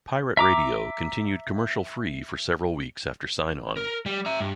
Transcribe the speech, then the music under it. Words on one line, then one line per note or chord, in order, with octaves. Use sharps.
Pirate Radio continued commercial-free for several weeks after sign on.
E5 A#5 D6
A#4
G3
E5 A#5
G2